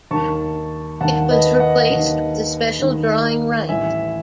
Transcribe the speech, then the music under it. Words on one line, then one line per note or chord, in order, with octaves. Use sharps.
It was replaced with the special drawing right.
D#2 D#3 A5 C#6
D#2 D#3 F#5 A5
B4 D#5
D#5 F#5
D#2 D#3
D#2 D#3
A1 A2 E3 E5 G#5